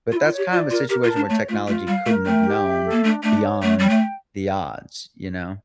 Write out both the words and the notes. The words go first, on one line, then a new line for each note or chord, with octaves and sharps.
but that's kind of a situation where technology couldn't have known beyond the odds, you know?
E4 F4
F4
C#5
G4
F4 D5
F4 A#4
G4 A#4
F4
A5
D4
A3 C#5
A3 F4
A3 F4
G3 F5
A3 A#4
A3 G5
G4
E5
A4
A#3
A3 D4
A3 D4
C#5
A3 C#5
G3 G5
A3